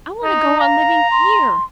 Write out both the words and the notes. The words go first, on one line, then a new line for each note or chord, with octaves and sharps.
I want to go on living HERE.
D#4
F5 A#5
C6